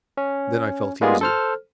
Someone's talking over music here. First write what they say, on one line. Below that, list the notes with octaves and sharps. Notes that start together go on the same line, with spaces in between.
Then I felt easier.
C#4
G3 G#3 A#3 B3 F4 G#4
A4 C5 F6